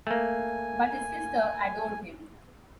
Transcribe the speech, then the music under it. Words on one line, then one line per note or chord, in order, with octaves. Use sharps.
But his sister adored him.
A3 A#3 G#5